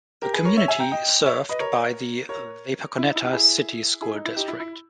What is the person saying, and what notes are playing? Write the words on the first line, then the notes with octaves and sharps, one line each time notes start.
The community is served by the Wapakoneta City School District.
G4 A#4
G#4 B4
A#4 C#5
C#5 E5
E5 G#5
G5 A#5
D#5 G5
C#5 E5
B4 D#5
A#4 C#5
A#4 C#5
E4
D#4
E4
D#4 G4
E4 G#4
E4 G#4
D#4
E4
D#4 G4
E4
E4